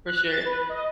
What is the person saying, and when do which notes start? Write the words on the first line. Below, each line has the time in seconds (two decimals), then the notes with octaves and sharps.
for sure.
0.07 F#6
0.29 A6
0.45 B4
0.69 D#5